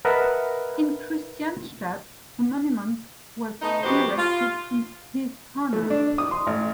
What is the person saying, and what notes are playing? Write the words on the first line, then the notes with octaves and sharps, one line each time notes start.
In Kristianstad, a monument was erected in his honor.
A#4 B4 D#5 E5 F#5 A5
A3 B3 D#4
F2 B3 F#4 G4 C5
F4
A3
D4
D#6
C6
A1